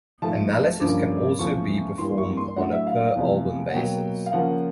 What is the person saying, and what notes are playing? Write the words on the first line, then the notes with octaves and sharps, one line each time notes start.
Analysis can also be performed on a per-album basis.
G#2 F3 A3 A5
G2 D3 F3 A#3 C#4 D6
E2 C#3 F3 A3 C#6
G2 E3 G3 A#3 C6
C#6
C6
A2 F#3 A3 D4 F#5
E5
F5
F5
E2 C3 F3 A3
F#5
B2 F#3 A#3 G5
F5
C#3 F3 A#3 C#4 F#5